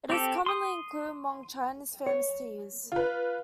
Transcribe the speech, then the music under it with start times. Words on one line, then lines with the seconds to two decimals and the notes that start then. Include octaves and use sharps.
It is commonly included among China's famous teas.
0.10 C4 G4 A4
0.46 C6 D#6
2.07 C#5
2.92 F4 B4